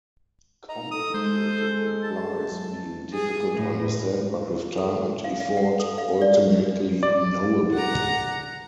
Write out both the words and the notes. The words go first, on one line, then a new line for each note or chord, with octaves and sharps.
Complicated implies being difficult to understand but with time and effort, ultimately knowable.
D#4 A#5
A4 D#6
G#3 C5
A5
F#2
G#4
A2
A4
F5
F5
F#5
A4
F5
D5
D5
F#5 A#5